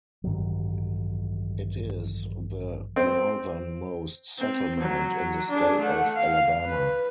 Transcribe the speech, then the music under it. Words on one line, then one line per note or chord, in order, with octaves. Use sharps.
It is the northernmost settlement in the state of Alabama.
A1 G2 D#3 F#3
C4
C4
F#3
D4 G#4
A3 F#5
F5
B4